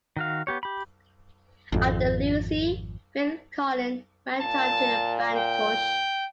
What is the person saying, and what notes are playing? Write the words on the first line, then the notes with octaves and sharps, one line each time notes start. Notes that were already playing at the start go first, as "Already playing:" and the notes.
After Lucy, Phil Collen went on to the band Tush.
D#3 F#4 F5
B3 G4 C#5
G4 B5
G#1 F2
A#2 A5
G5